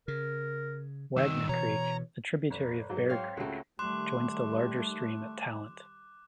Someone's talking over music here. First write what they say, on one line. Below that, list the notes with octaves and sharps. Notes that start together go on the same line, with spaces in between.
Wagner Creek, a tributary of Bear Creek, joins the larger stream at Talent.
C#3 A#4
G2 D#3 E6
B2 E3 C#5 A#5
F1
G#2 F#3
C4 C#5 F5
C#2 C#3 A3 F#4
D#3 G3 A3 C6 D6 F#6